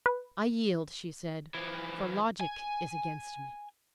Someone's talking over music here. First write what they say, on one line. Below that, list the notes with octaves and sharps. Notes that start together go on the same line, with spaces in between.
"I yield," she said, "for logic is against me."
B4
E3 F3
G#5